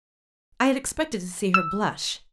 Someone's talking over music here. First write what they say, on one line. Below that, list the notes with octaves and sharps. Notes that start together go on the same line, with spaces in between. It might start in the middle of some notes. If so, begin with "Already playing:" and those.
I had expected to see her blush.
E6